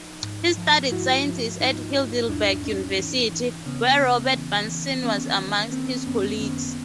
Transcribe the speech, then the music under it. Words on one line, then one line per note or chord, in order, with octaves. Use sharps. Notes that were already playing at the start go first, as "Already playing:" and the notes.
He studied sciences at Heidelberg University, where Robert Bunsen was amongst his colleagues.
Already playing: F3 D#4
G#2
F3
G#2 E4 F#4
F3
G#2 D#4 F4
G#2
E2 D4 E4
E2 C#4 D#4
E3
E3
C#3 B3 C#4
C#3
E3
E3
D#3 B3 C#4
D#3
D#3 A#3 C4
F#2 B3 C#4
D#3 B3 C#4